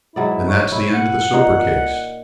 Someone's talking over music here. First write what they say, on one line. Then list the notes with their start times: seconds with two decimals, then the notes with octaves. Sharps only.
Then that's the end of the Soper case.
0.16 G#2 F#3 E4 D5
0.48 C#5
0.72 E4
0.94 F#5
1.33 A#2 D#4